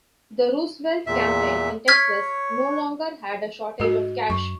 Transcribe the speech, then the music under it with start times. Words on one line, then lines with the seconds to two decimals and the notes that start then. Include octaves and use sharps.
The Roosevelt campaign in Texas no longer had a shortage of cash.
1.07 E2 A#2 E5
1.88 C#5 F6 G#6 B6
3.80 G#2 F#4 D#5
4.30 F#2 C#6